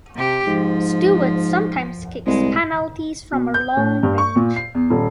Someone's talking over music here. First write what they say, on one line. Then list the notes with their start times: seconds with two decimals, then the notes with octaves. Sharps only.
Steward sometimes kicks penalties from long range.
0.16 C3 G4
0.47 G#2 F3
2.26 C2 G#3
3.32 B2
3.54 G6
3.77 A2
4.03 G2
4.18 C#6
4.36 A#2
4.56 C7
4.75 E2
4.90 D#1